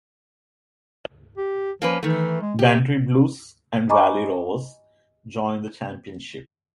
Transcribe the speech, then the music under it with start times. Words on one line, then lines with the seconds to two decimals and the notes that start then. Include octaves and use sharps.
Bantry Blues and Valley Rovers joined the championship.
1.37 G4
1.82 F3 A#3 C#4 B4
2.03 D#3 E3 A3
2.41 G#3
2.59 C3 G4
3.89 D#5 G#5 A#5 B5 C#6 D6